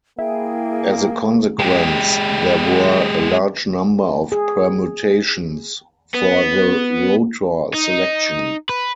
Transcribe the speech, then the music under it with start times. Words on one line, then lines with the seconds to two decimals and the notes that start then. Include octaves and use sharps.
As a consequence, there were a large number of permutations for the rotor selection.
0.19 A#3 E4 G#4 G5
1.59 G#3 G4
4.32 G#4
6.14 B3
7.74 D#4
8.69 B4